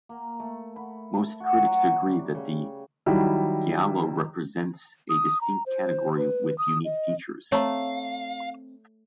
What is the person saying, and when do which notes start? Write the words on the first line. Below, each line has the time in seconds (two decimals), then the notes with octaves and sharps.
Most critics agree that the giallo represents a distinct category with unique features.
0.09 A#3
0.40 A3
0.76 B5
1.40 F#4
1.64 F#3
2.08 G3
2.35 C#3
3.06 D#3 F#3 G3 E4
5.10 D#6
5.41 A#5
5.66 C5
6.18 B4
6.58 D#6
6.85 D#5
7.52 A3 C4 C#5 F5 A#5